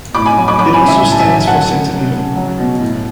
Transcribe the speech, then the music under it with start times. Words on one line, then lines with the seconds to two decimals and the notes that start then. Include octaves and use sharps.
It also stands for centimetre.
0.14 A2 B5 D6
0.26 G#5 B5
0.37 F#3
0.48 B5 D6
0.59 F#3 B5 D6
0.74 G#5 B5
0.81 C#3
0.88 E5 G#5
1.03 A2 G#5
1.12 A5
1.19 E5 G#5
1.25 F#3
1.47 F#3 F#5 A5
1.70 C#3
1.92 F#3
2.14 C#3
2.36 F#3
2.58 B2
2.80 A2